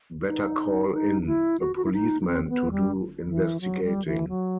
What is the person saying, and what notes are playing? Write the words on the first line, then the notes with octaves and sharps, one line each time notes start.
Better call in a policeman to do investigating.
E4
D#4
D#4
D#4
E4
F#4
F#4
E4
D#4
D#4
C4
C4
B3
G3
E3
F#3
G3
E3
F#3